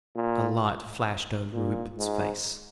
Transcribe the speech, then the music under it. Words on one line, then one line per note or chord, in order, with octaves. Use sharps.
A light flashed over Rupert's face.
A#2
A#2
G#2